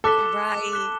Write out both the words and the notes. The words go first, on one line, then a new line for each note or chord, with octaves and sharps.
Eh, right.
A4 D6 F#6 B6 E7 G7
D6 F#6 B6 E7 G7